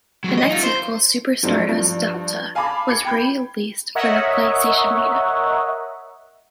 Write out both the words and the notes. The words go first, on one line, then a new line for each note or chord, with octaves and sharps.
The next sequel, "Super Stardust Delta", was released for the PlayStation Vita.
F#3 G#3
D#5
D#4 F4
C5
G#2 F3 F#3 A3 C4 D4
G2 F3
F5 G#5 A5 B5 D6
D6 G#6 C7 C#7
G5 B5 G6
A#4 C#5 D#5 E5 F#5